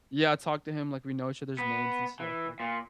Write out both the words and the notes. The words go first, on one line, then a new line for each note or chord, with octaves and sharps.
Yeah, I talked to him like we know each other's names and stuff like
B3
E3
A#2